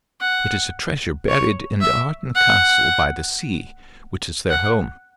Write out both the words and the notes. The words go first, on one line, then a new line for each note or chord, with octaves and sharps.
It is a treasure buried in Arden Castle by the sea, which is their home.
F#5
C#5
E5
F#5
F#5